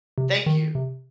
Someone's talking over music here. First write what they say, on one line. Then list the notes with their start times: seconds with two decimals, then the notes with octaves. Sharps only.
Thank you.
0.18 C3
0.46 D#3
0.75 C3